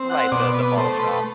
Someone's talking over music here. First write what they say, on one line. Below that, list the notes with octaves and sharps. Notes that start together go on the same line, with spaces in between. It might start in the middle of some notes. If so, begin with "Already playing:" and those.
Right, the the ball drop.
Already playing: C4
F#5
B2 D5
B4
A3 C5
B4